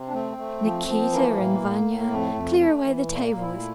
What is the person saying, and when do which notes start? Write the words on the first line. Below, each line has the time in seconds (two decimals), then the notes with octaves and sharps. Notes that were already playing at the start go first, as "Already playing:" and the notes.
Nikita and Vanya--clear away the tables!
Already playing: C3
0.08 D4
0.13 A3 C4
0.38 A3
0.62 F3
0.87 F3
1.11 E3 A#3
1.36 A2
1.61 A2
1.86 A2
2.10 F2 A3
2.34 F2
2.60 A3
2.84 E3
3.08 A#2 A3
3.25 A#3
3.34 A#2
3.41 E4
3.58 A3